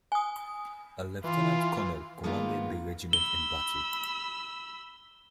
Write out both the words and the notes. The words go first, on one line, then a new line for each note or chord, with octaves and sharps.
A lieutenant-colonel commanded the regiment in battle.
G#5 D#6
E3 F4
D#3 G#3 A#3 B3 D#4 F4
B5 E6 G7